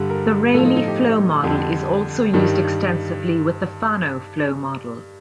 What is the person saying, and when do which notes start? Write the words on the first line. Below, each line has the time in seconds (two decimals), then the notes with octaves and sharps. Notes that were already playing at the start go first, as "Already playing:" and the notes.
The Rayleigh flow model is also used extensively with the Fanno flow model.
Already playing: G2 D3 G3
0.10 A#4
0.54 A2 F3 A4
0.65 D#4
0.77 D#4
0.88 G4
0.99 G4
1.43 F2 D3 G3 A4
2.34 G2 D#3 G3